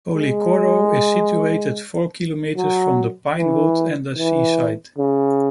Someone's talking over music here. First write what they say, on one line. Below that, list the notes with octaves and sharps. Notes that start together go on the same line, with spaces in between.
Policoro is situated four kilometers from the pinewood and the seaside.
G#3
F#3
E3
E3
C#3